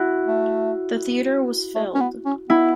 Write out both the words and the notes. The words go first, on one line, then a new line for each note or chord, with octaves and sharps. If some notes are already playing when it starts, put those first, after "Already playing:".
The theater was filled.
Already playing: E4 F#4
A3
A3
C#4
B3
C#4
B3 E4